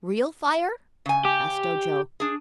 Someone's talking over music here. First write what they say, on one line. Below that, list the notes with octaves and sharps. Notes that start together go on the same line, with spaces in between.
"Real fire?" asked Ojo.
C#3 G#5
G4
D4 G#4